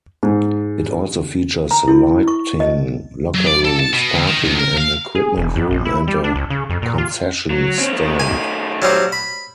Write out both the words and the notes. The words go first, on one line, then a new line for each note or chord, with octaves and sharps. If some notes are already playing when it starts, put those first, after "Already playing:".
It also features lighting, locker rooms, parking, an equipment room and a concession stand.
G#2
A#5
E4
C#6
D#5
F#3
D5
A4
A5
B2
D2
D#3
C#2
A#4
F5
G#4
E1
F2
A#1
E4
G3
D4
C#2
C#3
F2
A#2
F4
F#3
C4 C#4
D#3 A3
G#5
F#3 G3 C4
B5